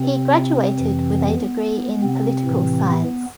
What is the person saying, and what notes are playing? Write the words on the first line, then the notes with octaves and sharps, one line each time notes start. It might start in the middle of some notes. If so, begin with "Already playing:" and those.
He graduated with a degree in political science.
Already playing: C3 C4
F2 E3
B3
C3 C4
A2 E3
B3